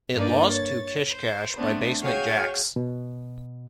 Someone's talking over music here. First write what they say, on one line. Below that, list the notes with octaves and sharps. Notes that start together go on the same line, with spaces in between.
It lost to "Kish Kash" by Basement Jaxx.
G2 A#3 D#4 D5
C#5 A6
C5
A3 B3 C4 D4
F#4 G#4 C#5 F5 G5 G#5
B2